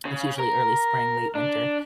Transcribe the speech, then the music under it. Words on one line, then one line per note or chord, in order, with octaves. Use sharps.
it's usually early spring, late winter.
C#3
A#4
D4